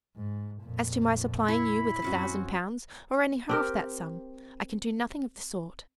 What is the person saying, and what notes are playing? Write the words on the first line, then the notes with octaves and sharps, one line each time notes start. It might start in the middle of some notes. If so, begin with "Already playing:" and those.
As to my supplying you with a thousand pounds, or only half that sum, I can do nothing of the sort.
G#2
F2 A#2
E4 C#5 B5
F#2 C4 C#4 F#4
C4 G4 A#4